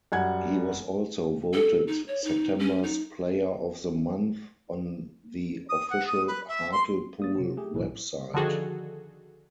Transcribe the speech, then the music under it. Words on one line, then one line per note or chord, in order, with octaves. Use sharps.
He was also voted September's Player of the Month on the official Hartlepool website.
F#2 G3 F#5 G#5 G#6
A4
D#4
C#5
D#4
C#4
D#4
D#6
F#5
D#6
B4
E5
C6
A#3 D#6 A6
C3 F#3
A3 G4 G#4
B1 A2 E3
D3 D#3 F3 F#4 G#4 A4